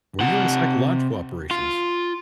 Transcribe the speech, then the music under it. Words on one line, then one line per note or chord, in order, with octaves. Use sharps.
Were you in psychological operations?
C3 F#5
F4